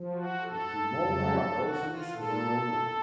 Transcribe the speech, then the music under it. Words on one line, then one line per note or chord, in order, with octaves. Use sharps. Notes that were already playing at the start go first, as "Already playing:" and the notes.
The kimono are also displayed online.
Already playing: F3
F#4
A4
F2 C#3 F#3
F#4
F4
A#2 A4